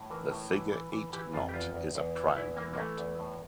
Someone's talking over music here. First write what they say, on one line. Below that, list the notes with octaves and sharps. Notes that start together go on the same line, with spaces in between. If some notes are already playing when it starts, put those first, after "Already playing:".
The figure-eight knot is a prime knot.
Already playing: A2
E3 A#4
A2
E3
E3
E3
E3 G4
F2 F4
G4
E2 F4
E2
E2
E3
E2 E4
E3 A#3
A#3
E3 A3
E2
A2